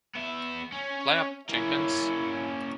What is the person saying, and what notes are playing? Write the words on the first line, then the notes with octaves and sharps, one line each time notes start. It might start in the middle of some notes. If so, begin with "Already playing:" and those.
Play up, Jenkins!
B3 E5
C#4
A#3 C#4 E4